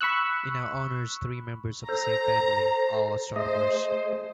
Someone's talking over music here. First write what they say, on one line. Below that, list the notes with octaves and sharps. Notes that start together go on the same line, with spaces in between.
It now honors three members of the same family, all astronomers.
B5 C#6 E6 F#6
A4 C5 A#5
A3 G#4 C5 D#5